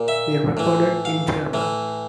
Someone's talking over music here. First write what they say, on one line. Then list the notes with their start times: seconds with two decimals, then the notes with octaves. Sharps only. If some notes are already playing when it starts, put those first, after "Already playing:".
They recorded in German.
Already playing: A#2
0.08 E5
0.57 A2 E3
1.05 F5
1.53 A2 E3